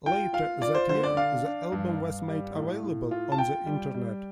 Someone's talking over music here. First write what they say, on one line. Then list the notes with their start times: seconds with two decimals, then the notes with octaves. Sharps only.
Later that year, the album was made available on the Internet.
0.06 F4 G5
0.33 F4 F5
0.61 F4 D5
0.75 C5
0.89 D3 C5
1.03 D5
1.16 D4 F5
1.45 D4
1.72 G2
2.00 G2
2.28 G3
2.55 A2
2.83 A2
3.11 F4
3.32 A5
3.38 F4 G5
3.66 G3
3.94 G3